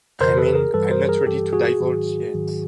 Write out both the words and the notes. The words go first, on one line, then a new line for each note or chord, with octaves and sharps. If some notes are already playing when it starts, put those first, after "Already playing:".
I mean, I'm just not ready to divulge yet.
F2 C#3 E3 A#4 C5
A4 B4
G#4 A#4
G2 E3 G3 A4 B4
A#4 C5
G#4 A#4
G2 E3 G3 G4 A4
F#4 G#4
G#2 D#3 F#3
G#2 D#3 F#3